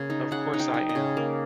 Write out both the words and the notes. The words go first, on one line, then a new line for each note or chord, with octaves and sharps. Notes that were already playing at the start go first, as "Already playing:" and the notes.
Of course I am!
Already playing: C#3 A#3
D#4
C#3 F#5
D#4
G5
D#4
D#5
C#3
A#3